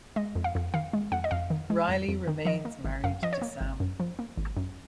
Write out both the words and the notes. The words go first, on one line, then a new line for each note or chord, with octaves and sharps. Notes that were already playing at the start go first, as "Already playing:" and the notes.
Riley remains married to Sam.
G#3 D#5
F2
F5
F2
D#3 F5
G#3
F2 F#5
D#5
F2 F5
D#3
G#3
F2
F2
D#3
F3 D#5
A#3
G#1
F#2 F5
F3 D#5
C#5
A#3
G#1
F#2
F3
A#3
G#1
F#2